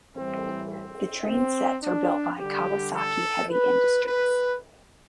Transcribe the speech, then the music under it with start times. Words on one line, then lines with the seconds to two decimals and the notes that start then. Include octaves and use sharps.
The train sets are built by Kawasaki Heavy Industries.
0.15 A2 E3 G3 C4
0.72 C4
1.26 C4
1.83 D4
2.38 D3 G3 G4
2.94 A4
3.50 B4
4.05 B4